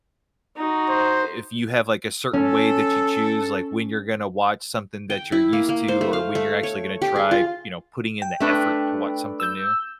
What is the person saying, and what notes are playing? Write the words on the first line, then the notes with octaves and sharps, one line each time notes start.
if you have, like, a certain way that you choose, like, when you're gonna watch something that you're used to or when you're actually gonna try, you know, putting in the effort to watch something new.
D#4 F#4
C5
C#4 A4
G5
E4
A#3
A#3
C5
A3
F5
A3
C#5
G4
G#4
F4
G5
A3 D4 B4
E6 G6